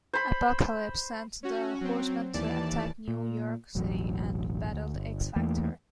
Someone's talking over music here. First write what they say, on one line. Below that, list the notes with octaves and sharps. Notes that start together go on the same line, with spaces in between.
Apocalypse sent the Horsemen to attack New York City, and battled X-Factor.
C5 B5
C#4 F#4
F#3 C4
D#2 E3 D5 A5
A#2
E1 A1 F#3
D2
G1
E2 E3 A3 A#3